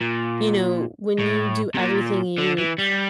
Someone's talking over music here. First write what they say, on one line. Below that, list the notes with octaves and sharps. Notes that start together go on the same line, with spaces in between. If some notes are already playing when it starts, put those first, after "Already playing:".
you know, when you do everything you
A#2
A2
C3
A#2
D3
E3
G3